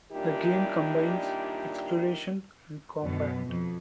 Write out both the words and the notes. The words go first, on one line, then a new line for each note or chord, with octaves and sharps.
The game combines exploration and combat.
A#2 D#3 G3 D4 E4 G4
F#2 B2
F2